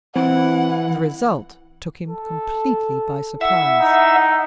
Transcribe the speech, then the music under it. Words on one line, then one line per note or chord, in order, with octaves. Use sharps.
The result took him completely by surprise.
E3 C4 E4 F#5
A4
E4 E5 F#5
D#4